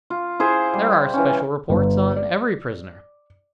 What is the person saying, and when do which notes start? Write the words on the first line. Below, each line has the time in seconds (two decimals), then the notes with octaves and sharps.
"There are special reports on every prisoner."
0.10 F4
0.40 E4 G#4 C5
0.73 G3
1.14 E3 C#4
1.70 G1
2.16 D5